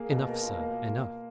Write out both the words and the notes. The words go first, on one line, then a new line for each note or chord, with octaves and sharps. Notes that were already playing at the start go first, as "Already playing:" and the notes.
Enough, sir, enough.
Already playing: A#3 G#4
B2
A#4
F4
A#3